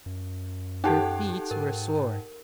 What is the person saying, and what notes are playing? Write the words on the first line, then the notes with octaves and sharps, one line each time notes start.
Her feet were sore.
F#2
D#4 G4 A4 F#5 G5 A5
G#2 A#4